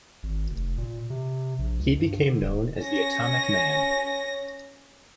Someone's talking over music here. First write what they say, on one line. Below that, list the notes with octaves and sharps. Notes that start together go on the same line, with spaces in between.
He became known as the 'Atomic Man'.
G#1
F1
A#2
C3
A#1
C#2
G2
D3
D1
C#4 A#6